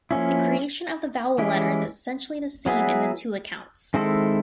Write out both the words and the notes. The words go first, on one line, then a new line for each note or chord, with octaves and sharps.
The creation of the vowel letters is essentially the same in the two accounts.
F3 A#3 C#4 E4
E3 G#3 C#4 E4 G4
F#3 B3 E4 G#4
D#3 G#3 C4 E4 A4